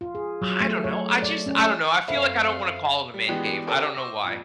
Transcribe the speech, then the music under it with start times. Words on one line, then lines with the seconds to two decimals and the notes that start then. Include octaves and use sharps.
I don't know. I, just, I don't know. I feel, like, I don't wanna call it a "man cave." I don't know why.
0.01 F4
0.15 G#4
0.42 F#3
0.60 A3
0.84 C#5
1.22 D5
1.46 C#4
1.58 C#4
2.08 F#2 C4 A4 C5 E5 F5 B5
3.14 G3
3.28 E3 G#3 B3 D4 F#4 G4
3.67 C#4 G4 A4 A#4 C5 D5
3.94 C5 C#6 D6 E6 A#6
4.24 F2 A#2